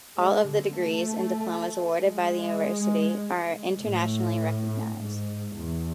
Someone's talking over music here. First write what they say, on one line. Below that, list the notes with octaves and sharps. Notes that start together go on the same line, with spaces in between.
All of the degrees and diplomas awarded by the university are internationally recognised.
G#3
D3
A3
G#3
A2
G#2
E2